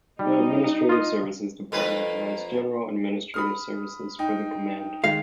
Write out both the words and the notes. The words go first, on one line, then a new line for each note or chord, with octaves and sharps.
The Administrative Services Department provides general administrative services for the command.
G3 D#4
F4 D#5
F2 A#3 B4
B5 D#6 F6
D#4 G5
D#3 G#3 F5